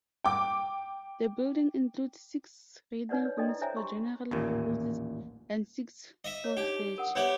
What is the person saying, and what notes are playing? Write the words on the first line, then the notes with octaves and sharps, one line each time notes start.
The building includes six reading rooms for general purposes and six for research.
G5 D6
D#4 B4 C#5 D5 F#5
B4 C#5
D4 F#4 A4 D5 D#5 G5
E4
C5 C#5 E5 G5 G#5 A#5
G4 A#5 C6 C#6
A1 D#2 A#2
D#5 E5
C#5
D4 D#4 G4
A#4 F#5 D#6
B3 G4 C#5 D5 E5